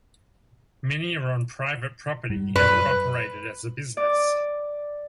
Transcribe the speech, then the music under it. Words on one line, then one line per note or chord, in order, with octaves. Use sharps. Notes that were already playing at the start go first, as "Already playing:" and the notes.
Many are on private property and are operated as a business.
G2 G3
F#2 B4 D5 F6
D5